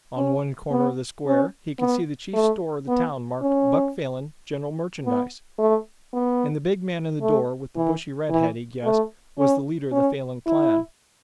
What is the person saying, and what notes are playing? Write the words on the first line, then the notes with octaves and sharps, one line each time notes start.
On one corner of the square he could see the chief store of the town marked "Buck Falin--General Merchandise," and the big man in the door with the bushy redhead, he guessed, was the leader of the Falin clan.
C#4
B3
C#4
B3
A3
B3
C#4
B3
A3
B3
A3
E3
E3
A3
C#4
C#4
E4